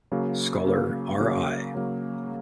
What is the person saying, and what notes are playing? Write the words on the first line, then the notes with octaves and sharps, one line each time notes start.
Scholar R. I.
C#3 F#3 A#3
C#3 F#3 A#3
C#3 F#3 A#3
C#3 F#3 A#3